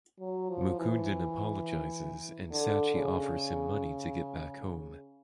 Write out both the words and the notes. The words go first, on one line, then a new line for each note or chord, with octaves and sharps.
Mukundan apologizes and Sachi offers him money to get back home.
F#3
F3
E3
D3
C#3